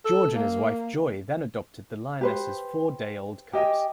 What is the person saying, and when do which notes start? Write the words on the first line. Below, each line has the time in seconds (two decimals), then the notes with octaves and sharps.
George and his wife Joy then adopted the lioness's four-day-old cubs.
0.05 A4
0.34 A#3
2.21 G4 B4 C5
3.53 G4 D#5 G5 G#5